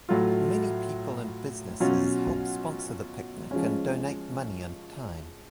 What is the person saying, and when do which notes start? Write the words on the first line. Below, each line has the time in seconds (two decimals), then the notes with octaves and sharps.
Many people and businesses help sponsor the picnic and donate money and time.
0.09 A2 F#3 A3 F4
1.80 B2 F#3 C#4 F4
3.51 F3 G#3 C#4